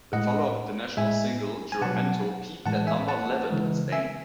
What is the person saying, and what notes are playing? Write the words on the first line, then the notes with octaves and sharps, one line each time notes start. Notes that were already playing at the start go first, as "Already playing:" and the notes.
The follow-up international single, "Juramento" peaked at number eleven in Spain.
A2 G#3 D#5 F#5
A2 G#3 E5 G#5
G#5
B2 F#3 F#5 A5
A2 E3 G#3 F#5 A5
E5 G#5
F#5 A5
C#3 E3 G#3
E5 G#5